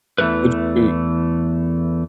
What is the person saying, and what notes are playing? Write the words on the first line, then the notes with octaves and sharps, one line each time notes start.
Would you
E2 E3 A3 A#4 B4